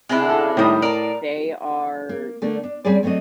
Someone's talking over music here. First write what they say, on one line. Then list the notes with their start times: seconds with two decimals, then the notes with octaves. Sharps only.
um, they are
0.09 C3 G#3 D4 E4
0.29 A4
0.57 A2 D#3 G3 D#6
0.82 A#4 D5 A5
2.09 A#3
2.42 D3 A3 A#3 D4
2.63 D4
2.85 G3 C4 C#4 G#4 D5
3.03 F#3 A3 C4 D4 D#5